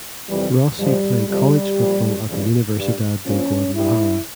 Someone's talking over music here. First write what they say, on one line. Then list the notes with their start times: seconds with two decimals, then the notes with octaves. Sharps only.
Rossi played college football at the Universidad de Guadalajara.
0.29 F2 C3 E3 G3
0.78 G#2 F3 G3
1.27 F2 C3 F3 G3
1.77 A#2 F3
2.27 F2 C#3 E3 G3
2.76 G2 G3
3.25 A#2 F3 C#4
3.75 G2 G3 E4